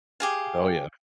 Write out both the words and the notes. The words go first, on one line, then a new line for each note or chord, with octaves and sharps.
Oh, yeah.
G4 G#4 F5